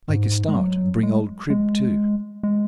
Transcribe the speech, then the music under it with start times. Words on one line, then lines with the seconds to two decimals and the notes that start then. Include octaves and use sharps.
Make a start, and bring old Crib too.'
0.10 G#2
0.48 G#3
0.57 F#3
1.03 G#3
1.50 G#3
2.43 G#3